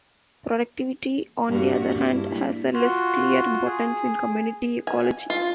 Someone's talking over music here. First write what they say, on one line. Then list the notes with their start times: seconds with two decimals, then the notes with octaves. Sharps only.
Productivity, on the other hand, has a less clear importance in community ecology.
1.48 G2 A#3 F#4
2.06 G2 A#3 E4
2.74 F4 F#4
3.65 G#4
4.87 G#5
5.30 F4